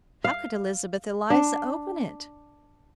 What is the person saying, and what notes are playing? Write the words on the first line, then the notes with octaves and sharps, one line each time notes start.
How could Elizabeth Eliza open it?
F5
D4